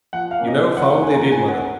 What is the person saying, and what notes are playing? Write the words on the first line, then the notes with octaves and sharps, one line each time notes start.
"You never found they did, mother."
F3 F#5
F5
A#3 C#4
D#5
F3
F#5
A#3 C#4 F#5
G#5
F3 A#5
G#5
A#3 C#4
F#5